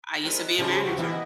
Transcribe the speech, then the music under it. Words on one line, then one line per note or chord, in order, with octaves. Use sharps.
I used to be a manager,
G3 G#3 B3 C4 A#4
C#3 F3 G3 C4 C#4 D#4 A5
D#2 B2 D3 G3 F#4 G5
E3 G3 E4 F#4 A#4
B3 D#5 B5